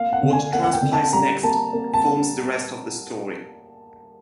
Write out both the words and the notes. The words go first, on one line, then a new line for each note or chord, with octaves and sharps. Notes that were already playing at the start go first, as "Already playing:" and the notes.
What transpires next forms the rest of the story.
Already playing: A#3 F5
F#5
D3
G#5
A#3 F#5
F#5
G5
D3
A5
G3 A#5
A#3 A5
A#3
A5